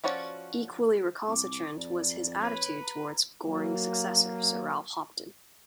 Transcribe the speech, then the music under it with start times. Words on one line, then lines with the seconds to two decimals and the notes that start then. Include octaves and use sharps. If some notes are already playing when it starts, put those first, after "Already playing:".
Equally recalcitrant was his attitude towards Goring's successor, Sir Ralph Hopton.
0.04 F3 C#4 F#4 C#5 D5
1.28 C2 D6
1.77 F2 D5
2.41 B4 C#5
2.82 A#5
3.46 F#3 A#3